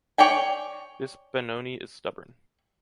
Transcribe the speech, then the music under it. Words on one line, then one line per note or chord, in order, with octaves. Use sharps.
This Benoni is stubborn.
C#5 D5 G5 G#5